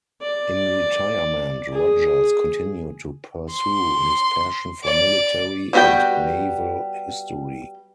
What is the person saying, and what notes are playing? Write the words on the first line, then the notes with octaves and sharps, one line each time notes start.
In retirement, Rodgers continued to pursue his passion for military and naval history.
D5
G#4
C6
D5
G3 B3 F#4 B4 G5